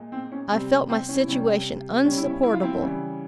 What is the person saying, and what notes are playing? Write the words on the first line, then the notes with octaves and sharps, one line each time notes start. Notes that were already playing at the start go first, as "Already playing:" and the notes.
I felt my situation unsupportable.
Already playing: A#2 G#3
C4
C#4
C3 G3 C4
C4
C#4
E4
C3 G3 C#4
C#3 G3 C#4
E4
C#4
E4
F4
C4 E4
C#3 E3 G3